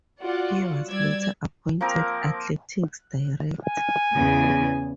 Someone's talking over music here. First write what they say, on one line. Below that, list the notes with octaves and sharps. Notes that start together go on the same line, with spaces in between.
He was later appointed athletics director.
F4 F#4 D5 F#5
G3 D5 E6 G#6
F3 A#3 C4 A#4
G#5
E2 C#3